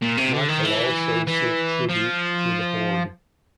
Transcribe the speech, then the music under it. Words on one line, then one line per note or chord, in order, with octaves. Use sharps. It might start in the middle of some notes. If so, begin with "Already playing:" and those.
Michael also sent tribute to the Horde.
A#2
C3
D3
D#3
E3
E3
F3